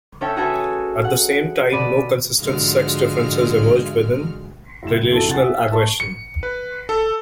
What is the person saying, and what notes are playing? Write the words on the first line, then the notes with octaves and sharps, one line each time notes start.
At the same time no consistent sex differences emerged within relational aggression.
C#4 A4 C#5 E5 G5
F#4 G#4 A4 B4 E5 G#5
F#5
B2 D5 B5 A6 D#7
G#2 D3 F3 G#3 F#4 F6
F#1 C2 E7
F2 E3 F#4 A4
C3 F#5 G#5 A6
E5
A5 C#6
C#7
B4
A4